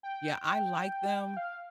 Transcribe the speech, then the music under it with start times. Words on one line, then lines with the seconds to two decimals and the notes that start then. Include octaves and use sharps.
Yeah, I like them,
0.03 G5
1.37 F5